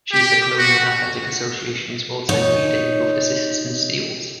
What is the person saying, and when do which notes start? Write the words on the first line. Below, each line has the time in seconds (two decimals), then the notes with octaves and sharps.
She is the Colonial Athletic Association's all-time leader in both assists and steals.
0.12 G4
0.58 F#4
2.29 D#4 C#5